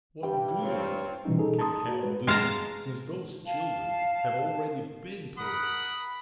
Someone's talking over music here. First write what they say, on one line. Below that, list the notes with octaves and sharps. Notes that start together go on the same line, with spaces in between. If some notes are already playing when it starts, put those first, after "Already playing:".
What good can hell do, since those children have already been tortured?
G2 G3 G5
C4 F4 C#5
B2 E3 G3 C#4 D#4
D#4 G#4 A4
A5 A#5 C6 D#6
A#3 F#4
G#3 F#4 B4
G#3 F5 A5 A#5
F5 A5
A#4 F#5 B5 D#6